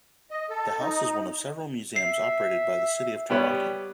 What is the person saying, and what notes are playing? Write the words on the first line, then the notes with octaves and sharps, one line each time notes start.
The house is one of the several museums operated by the City of Toronto.
D#5
A4
D#4
E5 C7
G3 B3 B4 C#5